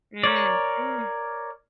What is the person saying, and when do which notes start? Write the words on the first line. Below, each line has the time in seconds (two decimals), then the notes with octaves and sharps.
Mm, mm.
0.24 A#4 C#5 D5